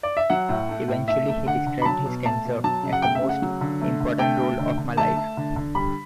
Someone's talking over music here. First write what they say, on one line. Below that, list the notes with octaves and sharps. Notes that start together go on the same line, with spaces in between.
Eventually he described his cancer as "the most important role of my life".
D5
E5
F#3 F#5
A2
A3
A2
A3 E5
A3
D3 F#5
D3
B5
F#3 A5
B2
A3 A5
B2
F#3 A5
C#3
F#5
A3 G5
E5
C#3
F#5
F#3
D3
A3
D3
A3 G5
A3
D3
D3
A3 A5
A3
D3
D3
G3 B5